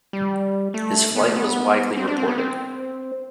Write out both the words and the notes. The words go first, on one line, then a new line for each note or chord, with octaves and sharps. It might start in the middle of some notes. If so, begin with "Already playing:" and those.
His flight was widely reported.
G3
A3
B3
A3
B3
C4
D4
C4
B3
C4